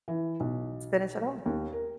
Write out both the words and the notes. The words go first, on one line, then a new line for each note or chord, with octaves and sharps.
finish at home.
E3
B1
D#2
A#4